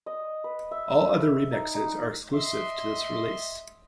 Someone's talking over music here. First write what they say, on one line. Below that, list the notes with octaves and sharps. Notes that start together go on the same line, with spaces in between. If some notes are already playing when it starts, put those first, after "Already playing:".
All other remixes are exclusive to this release.
D#5
B4
E5
D#4
D#4
D#5 E5 C6